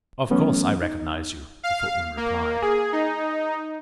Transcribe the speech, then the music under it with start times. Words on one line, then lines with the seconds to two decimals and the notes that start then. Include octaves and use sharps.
"Of course I recognise you," the footman replied.
0.30 E3 F#3 A3 B3 C#4
0.82 D#4
1.63 F5
2.17 A#3
2.62 G#4
2.93 D#4